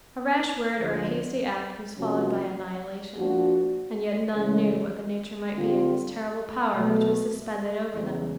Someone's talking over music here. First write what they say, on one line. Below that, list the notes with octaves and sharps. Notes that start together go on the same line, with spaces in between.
A rash word or a hasty act was followed by annihilation, and yet none knew what the nature might be of this terrible power which was suspended over them.
D2 D3 F3
C3 F3 A#3 C#4 F#4
F3 A#3 D4 F#4
C#3 E3 G#3 C#4
D3 G3 C4 F4
B2 F#3 A3
E2 C#3 E3